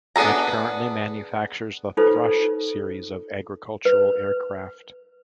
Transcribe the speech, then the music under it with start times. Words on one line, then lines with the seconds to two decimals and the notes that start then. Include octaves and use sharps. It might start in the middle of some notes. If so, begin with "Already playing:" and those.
It currently manufactures the Thrush series of agricultural aircraft.
0.16 B3 D4 G#4 A4 A#5
1.97 D#4 F4 A4 B4 C5
3.85 B4